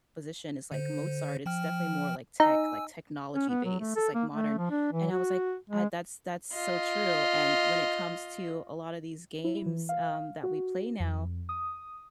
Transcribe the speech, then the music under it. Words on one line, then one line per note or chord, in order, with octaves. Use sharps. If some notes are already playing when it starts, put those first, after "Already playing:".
composition is like Mozart. It's definitely more like tech, like technology based. It's like modern." And I was like, I that's that's so true, and when it comes to a lot of these games, um, that we play now,
D3 C5
F3 G5 F6
D#4 G#5 E6
C#4
B3
F#3
A3
A4
A#3
A3
F3
D4
E3
F#4
G#3
F4 D#5
E4
E3
F5
F#4
F2
D#6